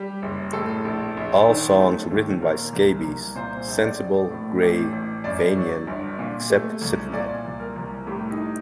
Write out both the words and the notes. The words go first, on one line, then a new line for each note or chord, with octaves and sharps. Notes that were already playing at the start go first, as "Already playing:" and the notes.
All songs written by Scabies, Sensible, Gray, Vanian, except "Citadel".
Already playing: G3 G4
F#1
A2 A4
A#1
A#1
D#3
A3
D#2
A#2 A#4
C2
C2
A#2 C5
A#1
D5
A#1
A2
A1
A1
F#2 D5
F#3
G1
A#2
A3
C2
A#2 D5
C2
A#4
C2
A2 G4
D#4